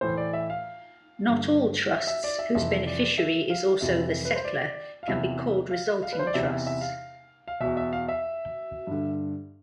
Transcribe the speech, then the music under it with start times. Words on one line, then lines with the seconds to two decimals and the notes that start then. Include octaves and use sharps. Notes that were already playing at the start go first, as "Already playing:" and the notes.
Not all trusts whose beneficiary is also the settlor can be called resulting trusts.
0.01 A2 E3 C5
0.17 D5
0.33 E5
0.50 F5
1.28 G2 D3
1.91 E5
2.07 E5
2.24 D5
2.39 E5
2.55 F2 C3 E3 E5
2.87 D5
3.18 E5
3.50 F5
3.81 F2 C3 E3 E5
4.25 B4
4.35 C5
4.45 D5
5.03 F5
5.08 E2 C3 E3 E5
5.71 F5
6.03 F5
6.13 B4
6.19 C5
6.27 D5
6.34 E2 C3 E3 E5
6.50 E5
6.67 E5
6.81 F5
7.48 F5
7.60 E2 B2 E5
7.77 E5
7.93 F5
8.08 E5
8.87 G2 D3